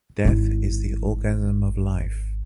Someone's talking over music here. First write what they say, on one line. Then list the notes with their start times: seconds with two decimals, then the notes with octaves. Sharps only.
Death is the orgasm of life!
0.25 G#1 E4